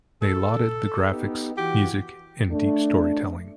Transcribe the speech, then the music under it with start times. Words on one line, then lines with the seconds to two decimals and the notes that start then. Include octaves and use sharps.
They lauded the graphics, music, and deep storytelling.
0.22 A4
1.10 B3 D#4 G4
1.57 E3 F#4 G4
2.51 A3 D4